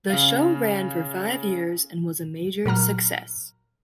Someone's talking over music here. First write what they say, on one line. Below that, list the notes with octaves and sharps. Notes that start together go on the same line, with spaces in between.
The show ran for five years and was a major success.
C#3 F5
A#2 F#3 A#5 F6